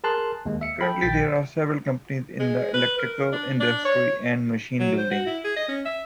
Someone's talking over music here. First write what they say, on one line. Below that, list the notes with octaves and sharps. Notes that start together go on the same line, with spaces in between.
Currently, there are several companies in the electrical industry and machine building.
G#4 A#4 A5 C6 F#6
D#2 G#3
E5 C#7
A4 G5 B5
A#1 G5 A6 B6
G#3
B4
A#4
D4
D4
C#5
F#3
C5
F#4
E4
G#4
D#5
C#4
E5